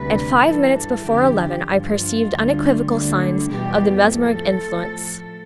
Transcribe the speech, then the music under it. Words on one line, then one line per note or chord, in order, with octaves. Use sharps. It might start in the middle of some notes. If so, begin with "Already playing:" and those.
At five minutes before eleven I perceived unequivocal signs of the mesmeric influence.
Already playing: D2 C3 G3 B4
G2 E3 G3 A4
A4
F2 D3 F3 G4
G2 F3 F4
D2 D3 G3
D2 D3 G3
E2 B2 G3 G4
A2 F3 A4
A2 F3